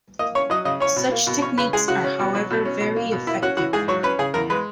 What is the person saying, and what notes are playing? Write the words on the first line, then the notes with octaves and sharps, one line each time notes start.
Such techniques are however very effective.
A#3 D#5
C#4 C#5
F#3 D#5
C#3 D#5
C#4 C#5
B2
A#3
B2
C#4 C#5
C#3 B4
G#3 G#4
C#3 F#4
C#4
B2
F#3
B2
C#4
B2
A#3
B2
A#3 E4
C#4 F#4
E3 F#4
G#2 G#4
F#3 C#5
C#4 B4
C#3 G#4
E2 A#4
G#3 B4